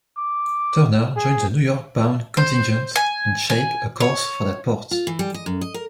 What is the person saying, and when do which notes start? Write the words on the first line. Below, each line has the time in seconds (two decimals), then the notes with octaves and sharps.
"Turner" joined the New York-bound contingent and shaped a course for that port.
0.17 D6
1.17 G#4
2.37 C5
2.96 G#5
3.50 G#5
4.00 C#5
4.91 F4
5.07 E3
5.19 G3
5.34 D#5
5.46 F#2
5.61 D#5
5.74 A#4